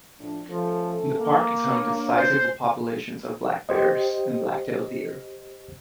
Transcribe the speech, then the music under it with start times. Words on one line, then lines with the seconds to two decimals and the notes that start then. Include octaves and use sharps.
The park is home to sizable populations of black bears and Black-tailed deer.
0.19 A2 F3 D4
0.49 F3 A3 C#4 A4
1.20 A#3
1.70 D4 C#5
2.17 C5
3.69 G4 C5 D#5